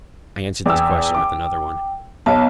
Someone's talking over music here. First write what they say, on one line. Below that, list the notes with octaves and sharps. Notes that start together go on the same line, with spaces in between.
I answered this question with another one.
E2 G5 E6
D6
B1 B3 C#5 A5